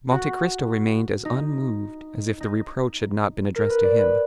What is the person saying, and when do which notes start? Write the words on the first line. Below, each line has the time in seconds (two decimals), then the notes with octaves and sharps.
Monte Cristo remained as unmoved as if the reproach had not been addressed to him.
0.11 F#4
1.25 D#4
2.40 D#4
3.55 A#4
3.70 B4
3.84 D5
3.99 B4